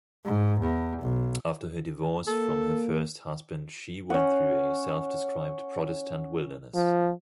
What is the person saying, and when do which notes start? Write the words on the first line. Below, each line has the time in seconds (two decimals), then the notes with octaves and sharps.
After her divorce from her first husband, she went through a self-described "Protestant wilderness".
0.25 G#2
0.60 E2
1.02 B1
2.27 A#3 A4
4.10 C#4 F#5
6.75 F3